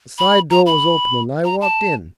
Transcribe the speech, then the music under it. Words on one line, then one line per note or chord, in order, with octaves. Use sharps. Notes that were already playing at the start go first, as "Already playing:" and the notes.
The side door was open and I walked in.
B5
A#5
B5
A#5
A5